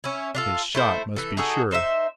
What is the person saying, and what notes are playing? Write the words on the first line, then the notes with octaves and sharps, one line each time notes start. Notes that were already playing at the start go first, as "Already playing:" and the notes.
His shot must be sure.
C#4 E4
D4 F4 A4
A3 E4 C5
E3 A4
D#4 F#4 G#4 A4
D#4 C5 D#5 E5